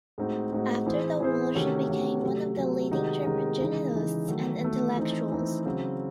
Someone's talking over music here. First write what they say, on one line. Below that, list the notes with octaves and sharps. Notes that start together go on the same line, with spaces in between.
After the war, she became one of the leading German journalists and intellectuals.
A2 G#3 C4 D#4 F#4
A2 G#3 C4 D#4 F#4
E3 C4 E4 G#4 C5
E3 C4 E4 G#4 C5
C3 D#3 A3 C#4 F#4
C3 D#3 A3 C#4 F#4
C3 F#3 A3
C3 F#3 A3
C3 D#3 G#3 D#4 F#4
C3 D#3 G#3 D#4 F#4
C#3 E3 G#3 D#4
C#3 E3 G#3 D#4
D#3 F#3 A3
D#3 F#3 A3
E3 A3 C4 D#4
E3 A3 C4 D#4
C#3 F#3 C4